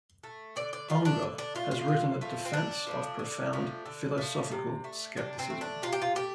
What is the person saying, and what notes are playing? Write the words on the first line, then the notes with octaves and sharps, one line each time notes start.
Unger has written a defense of profound philosophical skepticism.
A3
D3 D5
D5
A3 F4
D4
D3
D4
A3 F4
F4
D3
F3 A3
C4
D3 D4
F3 A3
D3
F3 A3
D3
F3 A3
C3
A3
C3 D4
C4
A3
D4
C3 F4
G4
F4
A3 G4